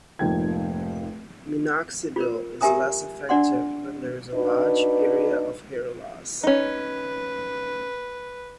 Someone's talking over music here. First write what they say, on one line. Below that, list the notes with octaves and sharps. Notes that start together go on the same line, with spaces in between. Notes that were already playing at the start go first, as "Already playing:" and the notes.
Minoxidil is less effective when there is a large area of hair loss.
F1 G#2 F3 A#3 G5 G#6
F4 A#4
G4 A#4 E5 G#5 A#5 D#6
D4 D5 F#5 C6
D4 D#4 F#4 B4
C#4 D#4 B4